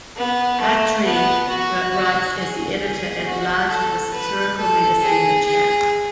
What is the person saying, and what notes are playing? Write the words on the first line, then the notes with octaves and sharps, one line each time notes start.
Attree writes as the editor at large for the satirical magazine "The Chap".
B3
A3
B3
F#4
F#4
G#4
G#4
F#4
A4
B4
A4
G#4
G#4